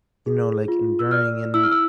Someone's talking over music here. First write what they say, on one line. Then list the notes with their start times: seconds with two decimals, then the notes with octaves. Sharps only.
you know, like, enduring and
0.26 G#4
0.68 F4
0.99 E6
1.11 D5 F6
1.54 E4 E6
1.63 F6
1.72 E6